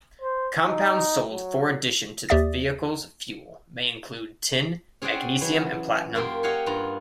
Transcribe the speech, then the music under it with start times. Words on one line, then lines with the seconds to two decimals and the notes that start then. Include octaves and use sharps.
Compounds sold for addition to the vehicle's fuel may include tin, magnesium and platinum.
0.21 C5
0.68 D#4
1.31 F#3
2.29 D#2 G4 D5 E5 D#6 A6
5.02 C#4 G#4 C5 D5 F#5 G5
5.41 E3 F#3
6.15 F#2 A#3 F4 G4 C6
6.43 G4 C#5 D#5 F5 F#5 G#5
6.66 G2 F4 F#5 A#5